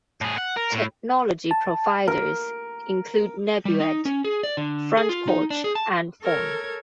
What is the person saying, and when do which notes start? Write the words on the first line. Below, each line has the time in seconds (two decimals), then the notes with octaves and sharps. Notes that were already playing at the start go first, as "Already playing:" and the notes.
Technology providers include NebuAd, Front Porch, and Phorm.
0.21 A2 G#4
0.38 F#5
0.57 A#4
0.72 A2
1.51 A5
2.08 A#4
3.65 G3
3.80 D#4
4.05 C#4
4.24 G#4
4.43 D5
4.57 D3
4.97 G#4
5.09 F4
5.28 D#4
5.50 D4
5.64 G#4
5.75 A5
6.23 A4 A#4 C#5 G#6